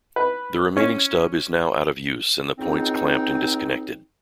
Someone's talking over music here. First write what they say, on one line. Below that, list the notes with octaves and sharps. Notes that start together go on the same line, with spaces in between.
The remaining stub is now out of use and the points clamped and disconnected.
B4
C#4
C#2 C4 D#4